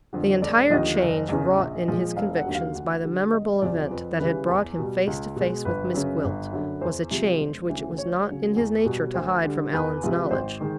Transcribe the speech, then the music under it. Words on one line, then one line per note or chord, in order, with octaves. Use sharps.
The entire change wrought in his convictions by the memorable event that had brought him face to face with Miss Gwilt was a change which it was not in his nature to hide from Allan's knowledge.
F2 D3
E1 D5
D#2 D3 F3 D#5
F#1
E2 C#3
A#1
A#2 F3 G#3
E1 F5
F#5
D#2 D3 F#3
F5
D2 F#5
D3 G3
E1 D#5
E2 C3 F3 D5
F2 B4
C#3 E3 G3 B4
E2
B2 G3
C#2
B2 G#3
G1 B4
F#2 C#3
G1
F#2 D3
E2 C5
C3 F3 G#3
E1
D2 C#3 E3
D2 C#5
C#3 F#3
E2
B2 G3
D2 C5
D3 G3
E2 B4
C3 F3 G#3
G#1 C5
D#3 G#3